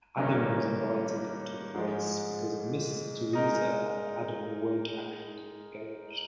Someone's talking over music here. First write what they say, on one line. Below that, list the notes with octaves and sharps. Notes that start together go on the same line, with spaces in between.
Adam was invited to the race because Miss Theresa and Adam weren't actually engaged.
G2 D#3 A#3 C#4
G#2 F3 G#3
G#3 D#4 A#4 D#5